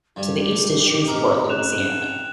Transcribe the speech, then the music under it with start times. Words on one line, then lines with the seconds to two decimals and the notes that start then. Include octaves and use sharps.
To the east is Shreveport, Louisiana.
0.16 G2 G3 G4
1.08 A2 C4 A#4 D#5
1.49 C4 C#4 F#6 E7 F7
2.09 G5